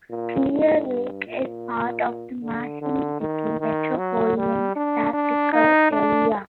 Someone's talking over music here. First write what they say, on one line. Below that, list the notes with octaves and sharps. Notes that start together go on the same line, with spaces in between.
Clear Lake is part of the Mason City Micropolitan Statistical Area.
A#2
A2
G2
A#2
D3
D3
D#3
D#3
F#3
G3
D4
D4
D#4
D4